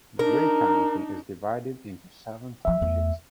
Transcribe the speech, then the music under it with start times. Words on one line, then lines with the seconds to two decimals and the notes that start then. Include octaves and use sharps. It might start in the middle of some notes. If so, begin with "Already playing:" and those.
Gray County is divided into seven townships.
0.19 D4 D#4 A#4
2.65 D3 F3 E5
2.82 E2 A3